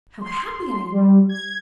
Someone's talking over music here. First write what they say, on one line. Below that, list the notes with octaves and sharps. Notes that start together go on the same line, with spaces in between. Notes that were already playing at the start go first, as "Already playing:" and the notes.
How happy I am!
C6
G3
G#6